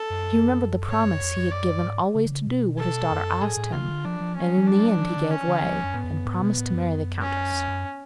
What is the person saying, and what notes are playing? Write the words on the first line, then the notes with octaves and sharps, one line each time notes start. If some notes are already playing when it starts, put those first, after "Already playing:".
He remembered the promise he had given always to do what his daughter asked him and in the end he gave way, and promised to marry the countess.
Already playing: A4
F#2
G#2 C#5
F#2
F2
F#2
D5
G#2
C#3
D3
C#3
B2
A4
F#2
A2 G#4
A2
C#3 F4
D3
F3 D4
F3
C#4
F#3
F3
F#3 D4
F3
D3
C#4
D3
F3
F#2
G#2 B3
F2
F#2
G#2
B2
A2
F#2
C#4
F2
F#2